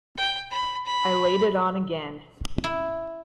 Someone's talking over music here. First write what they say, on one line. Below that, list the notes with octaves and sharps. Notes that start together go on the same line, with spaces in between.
I laid it on again.
G5
B5
B5
E4